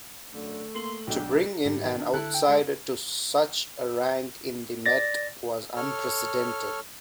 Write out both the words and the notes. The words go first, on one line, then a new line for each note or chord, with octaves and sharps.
To bring in an outsider to such a rank in the Met was unprecedented.
F#2 D3 A3
A#3 C6 F#7
B1 G#2 D4 G5
G#2 G3
D#3
D4
D3 E4 A4 F#6
G5
G#3
D5 A6 A#6
A4 C#5 F6